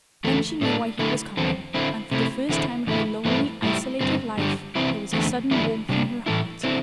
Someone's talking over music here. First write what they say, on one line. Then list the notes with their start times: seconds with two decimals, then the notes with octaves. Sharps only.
Then she knew why he was coming, and for the first time in her lonely, isolated life, there was a sudden warmth in her heart.
0.24 E2 D3 A3
0.61 A2 A3 D4
0.99 D3 A3 E4
1.37 E2 D3 C4
1.74 D3 C4 E4
2.11 C3 A3 E4
2.49 E2 D3 C4 E4
2.87 E2 D3 A3 E4
3.25 G2 E3 A3 C4 E4
3.62 A2 G3 E4
4.00 G2 D3 C4
4.38 G2 D3 G3
4.75 C3 E3 C4 E4
5.13 E2 D3 A3 C4
5.51 E2 D3 G3 E4
5.89 C3 G3 D4
6.26 A2 E3 A3 E4
6.63 D3 C4 E4